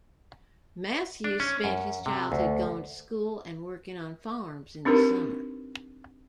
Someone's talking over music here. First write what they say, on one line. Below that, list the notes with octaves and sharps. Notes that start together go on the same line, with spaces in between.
Matthew spent his childhood going to school and working on farms in the summer.
D4
C#4
F#2
C3
D2
C4 D4 D#4 G4 A#4 B4